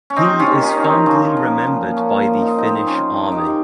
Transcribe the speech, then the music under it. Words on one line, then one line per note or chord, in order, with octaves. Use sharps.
He is fondly remembered by the Finnish Army.
C#4
C3 C4 D#4
C#4 F4
D#3
C#4 F4
D#3
C4 D#4
F3 C#4
F3
A#2
A#2 C#4
F3
D#4
F4
F3 C4 D#4
D#3 C#4 F4
D#3
D#4 G4
C3